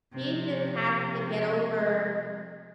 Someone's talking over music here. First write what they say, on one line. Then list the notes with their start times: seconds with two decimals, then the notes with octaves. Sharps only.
she just has to get over
0.12 C3 F3